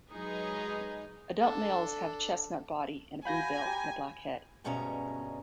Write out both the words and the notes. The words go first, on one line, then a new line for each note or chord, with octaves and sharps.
Adult males have a chestnut body, a blue bill and a black head.
F#3 G#3 D#4 G#4 B4 D#5
D4 A4
F#4 F5 F#5 G#5 B5 G6 A#6
G4 A#5
D2 G2 B2 G#3 C#4 A#5